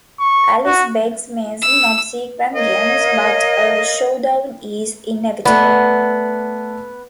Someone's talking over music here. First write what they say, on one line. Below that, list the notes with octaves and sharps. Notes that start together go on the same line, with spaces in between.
Alice begs Mason not seek vengeance, but a showdown is inevitable.
C#6
F#4
E6
A#4 C#5 D#5 F5
A3 B3 D5